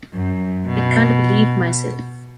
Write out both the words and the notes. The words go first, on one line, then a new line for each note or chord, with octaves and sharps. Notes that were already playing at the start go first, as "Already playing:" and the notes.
I can’t believe myself.
F#2
B2